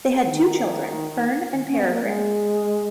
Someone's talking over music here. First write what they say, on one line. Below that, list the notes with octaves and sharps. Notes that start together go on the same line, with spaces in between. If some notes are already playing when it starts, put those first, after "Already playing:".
They had two children, Fern and Peregrine.
E3
D#3
C#4
B3
A#3
G#3